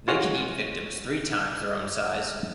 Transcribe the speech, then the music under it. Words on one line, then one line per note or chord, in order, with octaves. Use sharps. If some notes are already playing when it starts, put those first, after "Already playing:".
They can eat victims three times their own size.
F4 F#4 G#4 C#5 D#5 F#5